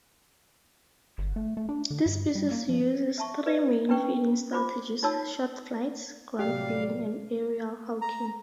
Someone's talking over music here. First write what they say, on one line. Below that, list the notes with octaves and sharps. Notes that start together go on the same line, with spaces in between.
This species uses three main feeding strategies: short flights, ground feeding and aerial hawking.
G1
A3
A3
D4
D3
G2
G3
A#3
F3
E5 A5 C#6
B4 D5 E5
C#4 D4 E4 B4 G5 C#6
F4 C5 B5 D6
D#4 F4 C#5 A5 E6
A2 C3 F#3 G3 G4 D5 F5
A#5